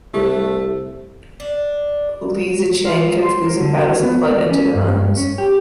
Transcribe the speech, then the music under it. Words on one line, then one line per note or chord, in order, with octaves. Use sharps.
Li Zicheng kept losing battles and fled into the mountains.
C2 A3 G4 C5
D4
F4
C5
A#4
D3
F#4
B3
D5
C#4
G2
C#4
G4